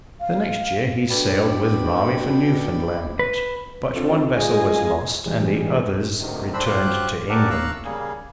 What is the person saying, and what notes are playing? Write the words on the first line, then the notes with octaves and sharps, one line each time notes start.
The next year he sailed with Raleigh for Newfoundland, but one vessel was lost and the others returned to England.
F5
B2 D4 A4 B4 D5 G5 B5
B4
C4 D4 F4 A4
G#3 F4 G#4 D#5 G#5
E3 G3 G#3
D2 C3 D#3
F2 C4 D4 C5 B5 E6
F#3 F4 G4 C5 G5 F#6
G4 A#4 D5 E5 F#5 A5
F5 A#5 C#6 E6 F#6
C#3 G3 A#3 G#4